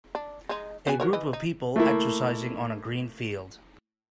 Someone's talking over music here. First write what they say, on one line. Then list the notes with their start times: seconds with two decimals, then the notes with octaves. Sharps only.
A group of people exercising on a green field.
0.15 D4
0.49 G#3 D#4
0.87 B3 F#4 G#5
1.00 F#4 A#4 C#5
1.13 E3 D#5
1.33 D#4
1.76 A3 A#3 E4